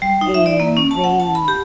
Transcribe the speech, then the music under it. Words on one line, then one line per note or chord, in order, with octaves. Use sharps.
and they
G3
D#4
E5
D5
A#3
C#4
A5
F#5
A5
B5
G4